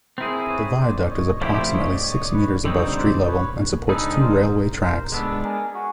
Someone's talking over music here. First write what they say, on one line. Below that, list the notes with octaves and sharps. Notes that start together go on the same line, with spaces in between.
The viaduct is approximately six metres above street level and supports two railway tracks.
C4 E4 G#4 A#4 C5
B4 C#5
C5 D5
D5
C#5 D#5
C#5
F3 A3 C4 E4 G4 C5 D5
C#5 D#5
D5
C#5 D#5
D5
B4 C#5
D3 G3 C4 D#4 C#5 D#5
C5 D5
B4 C#5
D3 G3 C4 D#4 G#4 A4 B4
A#4 C5
A#4 C5
G#3 B3 D4 A4 B4
G#4 A#4
F#4 G#4